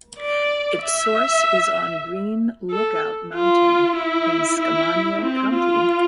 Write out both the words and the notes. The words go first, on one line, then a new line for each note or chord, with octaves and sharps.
Its source is on Green Lookout Mountain in Skamania County.
D5
E5
A4
F4
E4
E4
C4
F4